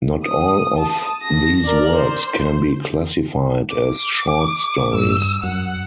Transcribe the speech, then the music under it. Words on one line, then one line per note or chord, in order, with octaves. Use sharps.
Not all of these works can be classified as short stories.
D#6
A5 D#6
A#6
A#4 D5
C5
D6
G2 E6
F#2 F#5